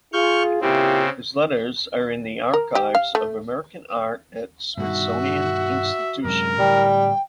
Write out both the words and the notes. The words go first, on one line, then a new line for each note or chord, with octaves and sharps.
His letters are in the Archives of American Art at Smithsonian Institution.
F4 G#4 C#6 F6 G6
A#2 C#3 C4 E4 G4
A#4
G4
F5
A3
G2 B2 D#3 F#4 E5
F#2 C3 G#3 A#4
A2 D3 E3 G3 G5